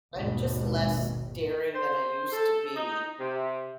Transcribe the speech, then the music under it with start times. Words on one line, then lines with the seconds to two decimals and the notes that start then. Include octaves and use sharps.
I'm just less daring than I used to be.
0.15 G#1 D#2 B2
1.75 C5
2.32 A4
2.75 D#4
3.20 C3